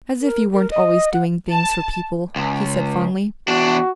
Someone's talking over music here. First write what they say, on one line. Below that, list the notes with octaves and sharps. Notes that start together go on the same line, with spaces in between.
"As if you weren't always doing things for people," he said fondly.
A#4
A#4
D#5
F#5
A5
C#2
E2 D4 F#4